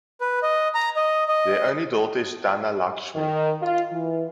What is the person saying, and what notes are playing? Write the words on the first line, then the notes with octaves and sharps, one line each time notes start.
Their only daughter is Dhanalakshmi.
B4
D#5
A#5
D#5
D#5
D#3
F4
E3